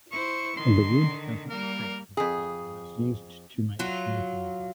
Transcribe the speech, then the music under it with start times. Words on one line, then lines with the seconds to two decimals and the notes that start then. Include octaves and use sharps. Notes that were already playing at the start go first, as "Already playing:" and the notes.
The wood does not crack when hot and is used to make smoking pipes.
0.12 E4 C5 C#6
0.57 D3 D#3 C6
1.49 G3 A#3 A#4
2.17 F2 G#4
3.79 F#3 F4